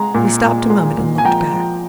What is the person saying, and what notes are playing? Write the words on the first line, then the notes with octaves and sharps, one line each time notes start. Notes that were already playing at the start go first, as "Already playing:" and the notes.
We stopped a moment and looked back.
Already playing: G#3 A#5
A#2
A#2
G#3
A#2
G#5
F3 G5 A#5
F3